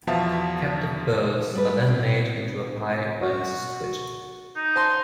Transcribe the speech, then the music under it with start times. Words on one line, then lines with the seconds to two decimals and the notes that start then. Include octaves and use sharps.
Captive birds are then made into a pie by Mrs. Twit.
0.07 E2 B2 F3 E5 F5 A5
1.53 G3 A3 B4
1.87 B2 C4
3.22 F#4
4.56 D#4
4.76 C5 A5 C6